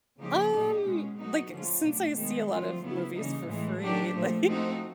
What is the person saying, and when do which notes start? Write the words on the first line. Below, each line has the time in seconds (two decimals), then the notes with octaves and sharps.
Um, like, since I see a lot of movies for free, like,
0.19 C#3 F3 A#3 D#4 G4
0.52 A#2 F#3 A#3 D#4 G4
0.85 B2 G#3 C#4
1.18 F#3 B3 D#4 F#4
1.50 D3 F3 A3 C#4 F4
1.83 B2 F#3 A3 D4
2.15 D#3 G#3 B3
2.48 D3 F3 A3 C4 F4
2.81 C#3 F#3 B3 E4
3.14 C#3 E3 G3 A#3 D#4
3.47 A2 E3 G#3
3.79 F#3 A3 D4 G4
4.12 A#2 F3 A3
4.45 F3 A3 C4 D#4 F#4